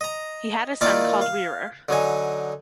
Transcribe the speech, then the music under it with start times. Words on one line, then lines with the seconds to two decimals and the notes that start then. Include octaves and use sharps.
He had a son called Rerir.
0.01 D#5 A#5
0.81 D#3 A#3 E4 F4 D5 D6
1.21 F5
1.89 D3 F#3 D#4 G#5